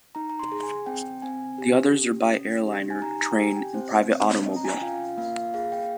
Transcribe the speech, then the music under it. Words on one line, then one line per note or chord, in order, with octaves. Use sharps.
The others are by airliner, train, and private automobile.
D#4 A#5
A#5
C6
G#4
G#5
C4 G5
C4 G#5
G4
C#4
C#4
G4
G#5
D#4 A#5
A#5
G5
G4 G#5
G5
C4 C5
C4 C#5
C#4 D#5
A#5
G#5
G5
F4 F5
A#3 F5
F5
G#4 F5
G5